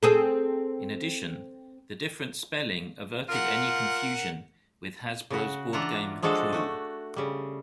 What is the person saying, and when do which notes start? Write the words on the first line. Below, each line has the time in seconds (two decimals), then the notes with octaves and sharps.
In addition, the different spelling averted any confusion with Hasbro's board game Clue.
0.03 C4 G#4 A4
3.28 F4 A#4 F#5
5.30 C#3 F#4
5.73 E3 D4 F4 E5 F#5 A#5
6.23 F3 G#3 D4 F#4 A4
6.53 A3 F#4
7.16 C#3 G3